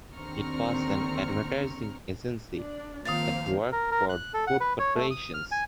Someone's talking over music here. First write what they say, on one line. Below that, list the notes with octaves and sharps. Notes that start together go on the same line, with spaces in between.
It was an advertising agency that worked for food corporations.
D#2 D3 C4 A#5 C#6 F6
D4
D#3 F3 A#3 C4 F5 A6
A#4
A#4
F#6
A4
F#5
B4
C#5
A3
D#6
F6
G#5